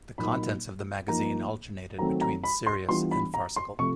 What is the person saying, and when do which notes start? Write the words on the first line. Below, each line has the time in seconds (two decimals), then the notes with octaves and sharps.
The contents of the magazine alternated between serious and farcical.
0.18 A#2 F#3 A#3 D#4 B5
1.08 F3 A#3 D#4 A#5
1.99 D#3 F#3 A3 C4 A#5
2.21 A#5
2.44 B5
2.67 C6
2.89 E3 G3 B3 D4 F4 C6
3.11 B5
3.34 A#5
3.56 C6
3.79 C3 F3 A3 C#6